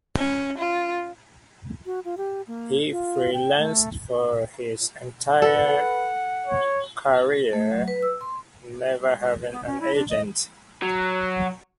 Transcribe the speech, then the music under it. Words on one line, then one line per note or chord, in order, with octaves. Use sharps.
He freelanced for his entire career, never having an agent.
C#4
F4
F#4
F4
G4
A#3
F4
G5
A3
A4 B4 F#5
C#5
A3
F#3
B4
E6
C6
B3
C#4
E4
D4
D#5
F#3